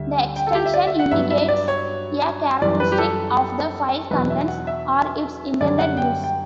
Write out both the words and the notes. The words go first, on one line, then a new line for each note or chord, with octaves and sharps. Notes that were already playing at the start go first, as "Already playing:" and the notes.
The extension indicates a characteristic of the file contents or its intended use.
Already playing: D2 D3 G3 E5
G5
A4
G4
E5
D5
E5
F#5
G2 F#3 B3 E5
E5
D5
C#5
F#2 E3 G3 D5
B4
G4
A4
E2 B2 F#3 B4
E5
F#5
E5
F#2 D3 G3 C#4 D5
F#5
G5
G5